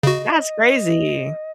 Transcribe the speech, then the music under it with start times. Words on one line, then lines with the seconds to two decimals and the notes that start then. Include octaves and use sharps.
That's crazy.
0.03 C#3 F#4 D#5